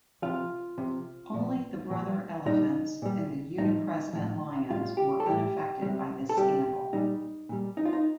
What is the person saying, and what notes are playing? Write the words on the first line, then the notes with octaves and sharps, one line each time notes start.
Only the Brother Elephants and the Uni-President Lions were unaffected by this scandal.
C3 F3 F4
C3 F3
A#2 F3
A#2 F3
A#2 G3 D#4
A#2 G3
A2 F3 D#4
A2 F3
A2 G3 F4
G4
A4
A2 G3 G4
C3 G3
A4
C3 G3 G4
A#2 G3 D#4
A#2 G3
D#4
F4
D#4